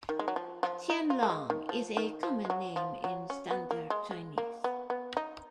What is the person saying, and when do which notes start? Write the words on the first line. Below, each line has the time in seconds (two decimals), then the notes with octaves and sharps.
Tianlong is a common name in Standard Chinese.
0.09 D#3
0.19 G#3
0.28 F#3
0.36 F3
0.63 F3
0.90 D#4
1.10 F4
1.23 A#3
1.30 G#3
1.50 D#3
1.69 F3
1.97 D#3
2.23 F3
2.45 G#3
2.50 F#3
2.76 F3
3.04 F#3
3.30 C#4
3.51 B3
3.71 A#3
3.90 G#3
4.11 G#3
4.38 A#3
4.64 B3
4.90 B3
5.17 D#4